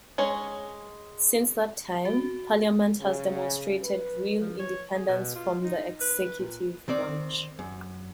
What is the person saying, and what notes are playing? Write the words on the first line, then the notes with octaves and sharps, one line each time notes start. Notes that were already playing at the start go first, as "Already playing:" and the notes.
Since that time, Parliament has demonstrated real independence from the executive branch.
G#3 C#4 C#5
F#4
C#3
B4
F3
C#5
G#4
B2
F4
D#4
B4
A#2
D#3 C4 D5
F#2